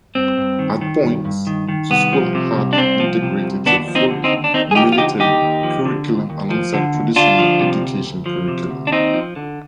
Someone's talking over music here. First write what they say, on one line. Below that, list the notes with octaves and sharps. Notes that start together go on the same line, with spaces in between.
At points the school had integrated the full military curriculum alongside traditional education curriculum.
G2 C4
G2
D#3
D#3
G2
G2
D#3
D#3
C2 B3
F3
C3
C2
D4
C2 C4
F3
C3
C2
D#2 B3 D4
F3
C4 D#4
D3
C4 D#4
D#2
D4
D#2 C4 D#4
G#4
F3 D#4 G4
F4
D3 D#4 G4
D#2 D#4 G4
D#2
F3
D3
D#2
D#2
F3
D3
D#2
D2 D4 F4
F3
C3
D2
D2
F3
C3
D2
D4
D#2 C4 D#4
F3
D3